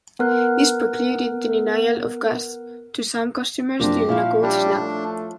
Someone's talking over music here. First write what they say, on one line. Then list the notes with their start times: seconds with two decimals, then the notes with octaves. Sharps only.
This precluded the denial of gas to some customers during a cold snap.
0.19 B3 A#4 F#6
3.80 F#2 C3 F3 A#3 D4 G4 C5
4.09 A#2 F3 C#4 E4 F5
4.43 G3 D4
4.81 A3